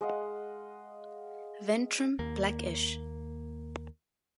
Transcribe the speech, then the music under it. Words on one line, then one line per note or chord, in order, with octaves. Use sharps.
Ventrum blackish.
G#3 D#5 F5 F#5
D#2 A#3